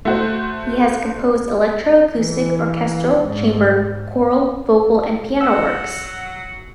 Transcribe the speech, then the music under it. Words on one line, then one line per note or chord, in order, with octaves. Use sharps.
He has composed electroacoustic, orchestral, chamber, choral, vocal and piano works.
A3 F#4 C5
E3
G#2
F#3 F#5 E6